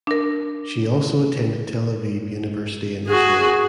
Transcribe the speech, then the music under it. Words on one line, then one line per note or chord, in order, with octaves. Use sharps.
She also attended Tel Aviv University in Israel.
D4 A#4
F#4 G#4